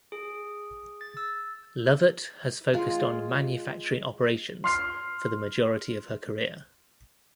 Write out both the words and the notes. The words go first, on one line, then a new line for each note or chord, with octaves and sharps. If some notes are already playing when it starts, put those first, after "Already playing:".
Lovett has focused on manufacturing operations for the majority of her career.
G#4
A6
E6
G#3 F4
C6 F6 C7